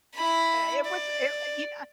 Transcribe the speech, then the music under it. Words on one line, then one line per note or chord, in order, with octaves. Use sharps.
Eh it was i you kn
E4 B5
D5